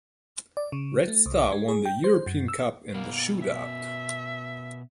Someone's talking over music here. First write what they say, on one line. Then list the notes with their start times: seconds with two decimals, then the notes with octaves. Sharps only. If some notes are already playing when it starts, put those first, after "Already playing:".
Red Star won the European Cup in the shootout.
0.57 D5
0.72 C#3
1.08 A3
1.26 C2
1.52 G#3
1.68 G#4
1.85 G5
2.04 C5
2.26 F#2
2.48 E6
2.94 B2 A#3 B3 A#4
3.42 E5